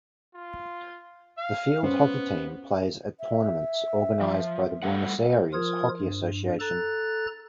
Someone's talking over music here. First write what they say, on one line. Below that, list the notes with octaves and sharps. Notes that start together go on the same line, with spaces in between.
The field hockey team plays at tournaments organised by the Buenos Aires Hockey Association.
F4
F5
B3 C#4 C5
E5
F3
G3 A3 F#5
F3 F4 A#4 D#6 G#6
G2
A4 A#5 F#6 A6